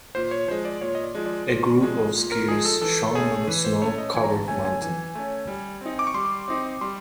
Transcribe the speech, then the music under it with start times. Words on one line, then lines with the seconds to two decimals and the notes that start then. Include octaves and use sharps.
A group of skiers shown on a snow covered mountain.
0.15 A#2 C5
0.31 C#5
0.48 F3 G#3 C5
0.65 D5
0.81 A#2 C#5
0.95 D#5
1.04 D5
1.15 F3 G#3
1.26 D5
1.49 A#2
1.81 F3 G#3
2.15 A#2
2.32 A#4
2.48 F3 G#3 G#4
2.65 A4
2.82 E3 A4
3.15 A3 C#4 G#4
3.48 E3 B4
3.65 C5
3.81 A3 C#4 C#5
3.98 D#5
4.14 E3 G#5
4.24 A#5
4.31 A5
4.48 A3 C#4 G#5
4.65 G#5
4.82 E3 G#5
5.15 A3 C#4
5.47 G3
5.81 C4 D#4
5.99 D6
6.07 C#6
6.14 G3 C6
6.48 C4 D#4
6.81 G3 C6